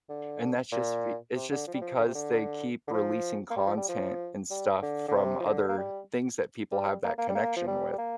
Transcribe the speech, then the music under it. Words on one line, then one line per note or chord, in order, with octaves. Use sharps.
and that's, just, be it's, just, because they keep releasing content and stuff from other things that people have that connection with.
D3
A#2
C3
D3
F3
G3
F3
D3
C3
D3
D3
F3
A#3
G3
F3
G3
F3
G3
D3
D3
C3
F3
D3
A#3
G3
G3
A#3
A#3
G3
A#3
F3
G3
G3
A#3